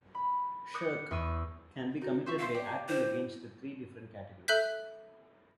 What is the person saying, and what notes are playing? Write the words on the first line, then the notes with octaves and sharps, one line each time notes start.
"Shirk" can be committed by acting against the three different categories.
B5
D6 D#6 F#6 G6 C#7
E2 C#6 E6 D#7
D#4 F#4
F4 C5 E5 C#6
C5 E5 F5
G4 D5
E4 C5
A4 E5 F#6 G6 B6